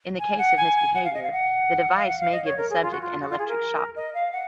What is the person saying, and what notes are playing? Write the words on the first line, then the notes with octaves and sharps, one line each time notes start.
In the case of misbehaviour, the device may give the subject an electric shock.
G#5
F#5
G#5
G#5
F#5
F5
D#5
F5
F#5
F5
F#5
F5
D#5
C#5
A#4
G#4
F4
F#4
F4
F#4
F4
G#4
A#4
D#5
F5
F#5